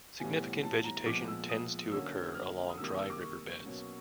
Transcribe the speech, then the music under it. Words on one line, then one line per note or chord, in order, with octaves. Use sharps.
Significant vegetation tends to occur along dry river beds.
A2 E3 G3 B3 G#5
A5
A#5
A#2 F3 G#3 B3 D6
E6
D#6
D3 F#3 A#3 C#4 E6
F6
D#6
C3 D#3 G3 A#3 E6
D#6
E6
D6
C#6
B2 F#3 A#3 C#4